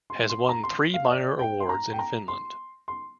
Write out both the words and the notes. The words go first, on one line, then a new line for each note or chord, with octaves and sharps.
Has won three minor awards in Finland.
C6
C6
A#5
C6
F5
D5
G5
C6
A#5
G5
A#5
C6
C6